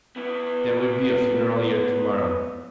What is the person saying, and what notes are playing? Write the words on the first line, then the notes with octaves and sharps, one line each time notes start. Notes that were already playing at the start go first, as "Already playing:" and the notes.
"There will be a funeral here to-morrow."
B3 E4